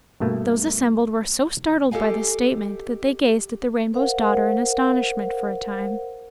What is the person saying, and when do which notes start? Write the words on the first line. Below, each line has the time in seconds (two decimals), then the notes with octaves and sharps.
Those assembled were so startled by this statement that they gazed at the Rainbow's Daughter in astonishment for a time.
0.20 G2 B2 A3 A#3
1.91 G4 A4 B4 D#5 F5 G#5
3.93 A#4 C5 F5 F#5